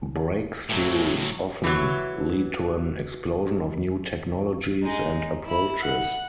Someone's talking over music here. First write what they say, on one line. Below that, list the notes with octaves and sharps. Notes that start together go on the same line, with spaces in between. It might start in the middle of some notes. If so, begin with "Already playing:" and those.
Breakthroughs often lead to an explosion of new technologies and approaches.
A2 F#3
E3 F#3
G#3 D#4
E4 B5
F#5